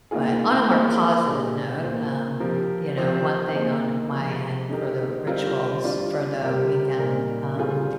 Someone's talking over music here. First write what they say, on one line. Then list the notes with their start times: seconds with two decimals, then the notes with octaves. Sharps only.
but on a more positive note, um, you know, one thing on my end for the rituals for the weekend, um,
0.11 D#3 A#3 F4 G#4
0.69 A#3 F4 G#4 C5
1.25 A#2 G#3 D4 G4
1.83 A#3 F4 C5
2.40 F3 C4 G4 A#4
2.97 F3 C4 G4 C5
3.55 A#3 D#4 G#4 C5
4.12 C3 F3 G#3
4.69 D3 G#3 D#4 G4 A#4
5.27 G3 C4 F4 A#4
5.84 G3 D4 F4
6.41 C3 G3 C4 G4 A#4
6.98 A#2 G3 A#3 D#4 A#4
7.55 D3 G3 C4 F4 G#4